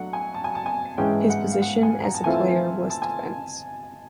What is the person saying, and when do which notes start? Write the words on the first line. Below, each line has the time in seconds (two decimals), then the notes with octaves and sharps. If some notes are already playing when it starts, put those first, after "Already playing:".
His position as a player was defence.
Already playing: F#3 A3 D4 F#5
0.13 G#5
0.34 A5
0.44 G#5
0.55 A5
0.66 G#5
0.98 G#2 E3 G#3 C#4 G5
1.30 F#5
1.52 F5
1.62 F#5
1.83 G#5
2.04 A#5
2.14 A5
2.24 E3 A3 C4 F4 G#5
2.34 A5
2.90 A5
3.02 G#5